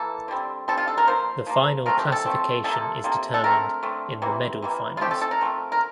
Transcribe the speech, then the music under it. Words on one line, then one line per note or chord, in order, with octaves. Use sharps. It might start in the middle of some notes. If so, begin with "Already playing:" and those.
The final classification is determined in the medal finals.
Already playing: E3 A#3 A4
D3 G3 C4
D3 G3 C4 A4
F4
A4
A#4
F3 A#3 C5
F3 A#3
F3 A3 C4 A#4
G4
A4
F3 A3 C4
C3 F3 A#3 A4
C3 F3 A#3
A4
D3 A3 C4 A#4
D3 A3 C4
C3 E3 A#3
C3 E3 A#3
F4
F3 A3 C4 G4
A4
A4
A#4
F3 A3 C4
A#4